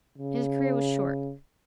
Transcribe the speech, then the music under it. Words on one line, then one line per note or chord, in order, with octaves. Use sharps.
His career was short.
C#3